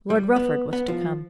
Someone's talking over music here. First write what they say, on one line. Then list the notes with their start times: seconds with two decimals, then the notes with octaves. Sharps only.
Lord Rufford was to come.
0.10 G3
0.36 B3
0.73 B3
0.88 F3